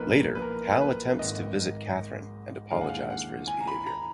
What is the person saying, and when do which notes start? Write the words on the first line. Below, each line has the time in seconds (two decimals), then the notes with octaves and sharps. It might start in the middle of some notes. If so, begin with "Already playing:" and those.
Later, Hal attempts to visit Catherine and apologize for his behavior.
Already playing: B1 A#2 F3 B3 D#4 A#4 B4
0.35 B4
0.42 A#4
0.81 B4
1.19 G#1 G#2 D#3 D#5
2.71 D#2 D3 G#3 F5
2.81 F#5
2.89 F5
3.10 F#5
3.47 G#5
3.60 A#5
3.67 B5
3.86 A#5